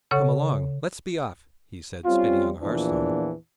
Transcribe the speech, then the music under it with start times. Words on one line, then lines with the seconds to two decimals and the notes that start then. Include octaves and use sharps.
"Come along, let's be off," he said, spitting on the hearthstone.
0.11 C#3 A4 C#5 F#5 C#6
2.05 G3 C4 C#4 F4
2.61 E2 A#2 E3 F3 D4